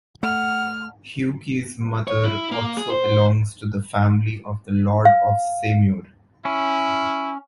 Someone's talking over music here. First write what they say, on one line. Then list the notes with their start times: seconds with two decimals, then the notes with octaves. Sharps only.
Hugues’ mother also belongs to the family of the lords of Semur.
0.23 A3 F#5 F6
2.08 C#5
2.25 E4
2.51 A#3
2.77 G#4
2.90 C5
5.05 F5
6.45 C#4 E4